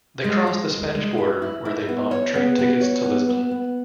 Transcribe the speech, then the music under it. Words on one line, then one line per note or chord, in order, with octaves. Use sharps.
They crossed the Spanish border, where they bought train tickets to Lisbon.
G#3
G#3
G#3
G#3
B4
E4
E4
B3
C#5
B3
B3
C#5
B3
B3
B3